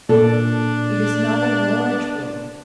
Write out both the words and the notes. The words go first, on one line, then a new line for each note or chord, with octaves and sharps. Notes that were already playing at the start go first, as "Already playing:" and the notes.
It is not a large world.
A#2 D4 A4 D5